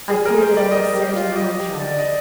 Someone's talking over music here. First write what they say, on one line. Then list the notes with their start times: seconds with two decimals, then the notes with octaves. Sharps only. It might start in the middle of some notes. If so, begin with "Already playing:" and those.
I fear that I must send you home, child.
0.10 G#4
0.20 G4
0.25 G#4 A#4
0.41 C5
0.51 A#4
0.57 D5
0.72 A#4 D#5
0.93 G4
1.15 F4
1.36 G4 D#5
1.56 G4
1.78 D5
1.98 D#5